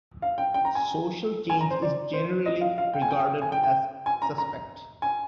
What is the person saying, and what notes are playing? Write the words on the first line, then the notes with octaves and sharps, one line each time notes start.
Social change is generally regarded as suspect.
F5
G5
G5
A#5
G#5
G#5
A#5
C5
D5
C5
D#5
F5
F5
G5
G#5
G5
G#5
G5
G5
G#5
A#5
A#5
G#5